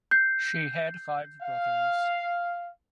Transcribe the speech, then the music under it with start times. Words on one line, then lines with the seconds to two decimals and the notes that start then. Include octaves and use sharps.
She had five brothers.
0.11 G6 C7
1.42 F5